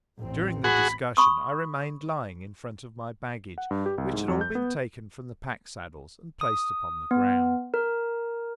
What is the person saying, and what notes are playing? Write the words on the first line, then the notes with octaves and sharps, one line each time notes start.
During the discussion I remained lying in front of my baggage, which had all been taken from the pack-saddles and placed upon the ground.
A1 E2 C4
F#4 G#4 B5
B5 C#6 D#6
F#5
G2
G4
C2
G#2
F2
G6
B3
D#6
B3
A#4